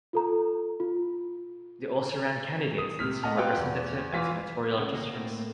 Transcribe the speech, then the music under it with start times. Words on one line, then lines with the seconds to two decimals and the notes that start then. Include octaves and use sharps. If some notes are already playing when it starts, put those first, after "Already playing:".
They also ran candidates in some representative and senatorial districts.
0.13 F4 A4 A#5
0.80 F4
2.78 D#6
2.99 C3 F6 B6
3.23 D#5 F#5 A5 F6
3.37 F4 F#4 B4 F#5 G5
3.57 E2
4.13 E3 F4 F5 B6
4.77 C#2 C#3 B3
4.93 D2 B2 A#3
5.14 A2 A3 A#3 C4